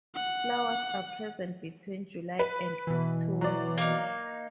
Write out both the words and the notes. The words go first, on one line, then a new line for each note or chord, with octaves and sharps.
Flowers are present between July and October.
F#5
B4
B2 E3
F#3 D5
A#3 D#4